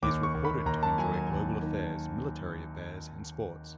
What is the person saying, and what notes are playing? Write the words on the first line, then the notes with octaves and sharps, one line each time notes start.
He is reported to enjoy global Affairs, military affairs and sports.
D#2 D6
C#6
D#2
B5
D#2 A#5
A5
F#3 G#5
G#5
D#2
D#3